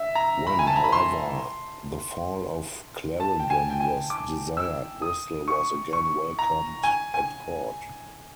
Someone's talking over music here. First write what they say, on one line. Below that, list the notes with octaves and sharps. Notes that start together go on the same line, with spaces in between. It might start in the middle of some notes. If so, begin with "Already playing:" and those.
When, however, the fall of Clarendon was desired, Bristol was again welcomed at court.
Already playing: E5
A#5
B5
G#5
A5
A#5
B5
C6
A5
G5
G#5
G5
G#5
D6
E6
D#6
C#6
C#6
A#5
G#5
G#5